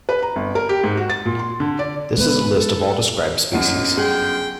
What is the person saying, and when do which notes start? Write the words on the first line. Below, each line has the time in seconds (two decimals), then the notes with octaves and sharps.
This is a list of all described species.
0.09 B4
0.23 A#5
0.36 G1
0.55 A#4
0.69 G4
0.84 G#2
0.97 F#4
1.10 A6
1.26 A#2
1.39 C6
1.60 D3
1.79 D5
2.18 G#3 B3 B4
2.54 A4
3.52 G1 F#2 C#5 D#5 F#5
3.97 G#4 F#5 G5 C6